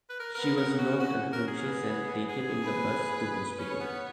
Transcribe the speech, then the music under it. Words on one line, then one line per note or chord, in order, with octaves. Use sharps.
She was knocked unconscious and taken in the bus to hospital.
B4
A#4
B3 A#4
A#4
C#4
F#4
C#4 F#4
C#4 A#4
G#4
B3
G#4
B4
C#4 C#5
B3